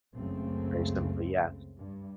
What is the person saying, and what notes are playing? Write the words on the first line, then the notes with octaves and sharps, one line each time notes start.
very simply yeah.
F#1 C#2 F#2 C#3 A3 C4
G2